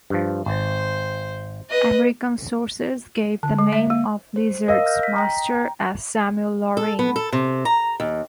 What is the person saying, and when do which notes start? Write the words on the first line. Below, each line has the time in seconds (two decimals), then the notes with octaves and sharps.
American sources gave the name of "Lizard"s master as Samuel Loring.
0.10 G2 F3
0.46 G#1 C5
1.70 B4 D#5
3.43 D3
3.59 G#3
3.73 E5
3.90 A#3
4.36 C5
4.68 A#4 D#5 F5 E6
4.86 F6 G6 A#6
5.03 B6
5.16 G5 A#5
6.77 A4
6.99 B3
7.16 A4
7.33 C3
7.65 A#5
8.00 D#2